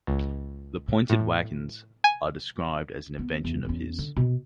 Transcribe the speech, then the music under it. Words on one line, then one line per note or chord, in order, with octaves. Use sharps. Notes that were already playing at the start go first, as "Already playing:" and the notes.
The pointed wagons are described as an invention of his.
C#2
A2
G#5
B3
E2
E2 C#4
D3
B2